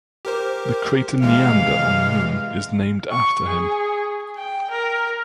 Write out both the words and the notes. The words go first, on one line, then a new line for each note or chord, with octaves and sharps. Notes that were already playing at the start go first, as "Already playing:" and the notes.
The crater Neander on the Moon is named after him.
G4 A#4 C5
C3 E3 G#3 F5
C#6
G#4
G5
A#4